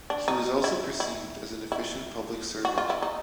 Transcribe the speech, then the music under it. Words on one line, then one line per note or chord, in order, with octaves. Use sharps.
He was also perceived as an efficient public servant.
D4
D#4
E4
E4
E4
F#4
F4
E4
D#4